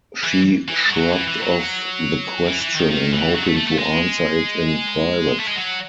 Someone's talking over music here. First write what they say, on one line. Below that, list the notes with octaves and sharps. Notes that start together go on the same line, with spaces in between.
She shrugged off the question in hoping to answer it in private.
E3
E3
G#3
F#3
E3
E3
F#3
E3
E3
D#3
D#3
E3
F#3
A3
A3
A3
G#3
A3
G#3
F#3